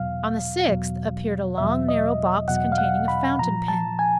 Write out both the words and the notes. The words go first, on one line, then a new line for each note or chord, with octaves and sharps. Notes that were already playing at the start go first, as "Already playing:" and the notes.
On the sixth appeared a long narrow box containing a fountain pen.
Already playing: E2 B2 F#3 F5
E2 B2 F#3
E2 B2 F#3 E5
D#5
E2 B2 F#3 F#5
F5
F#5
B5
A#2 F3 A#5
A5
G#5